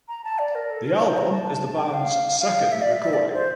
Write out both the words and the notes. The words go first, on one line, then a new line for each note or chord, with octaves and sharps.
The album is the band's second recording.
A#5
A5
D5
A#4
A4
A#4
C5
C5
A#5
A5
A5
A5
G5
F5
F5
E5
D5
E5
E5
D5
C5